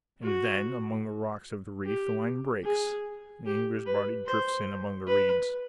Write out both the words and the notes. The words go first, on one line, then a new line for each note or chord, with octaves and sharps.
And then, among the rocks of the reef, the line breaks; the angler's body drifts in among the reeds.
F#4
G4
G#4
G4
B4
C5
B4